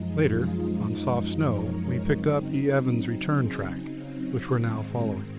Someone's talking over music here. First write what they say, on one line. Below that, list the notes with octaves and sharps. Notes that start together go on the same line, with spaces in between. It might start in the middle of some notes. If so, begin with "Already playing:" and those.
Later, on soft snow, we picked up E. Evans' return track, which we are now following.
Already playing: F#2 F3 G#3 D#4
F4 G#4
A#4 C#5
C#3 F#3 C4 D#4
G#4 C5
C#5 F5
D#5 F#5
G#2 D#3 G#3 C4 F5 G#5
F#4 A#4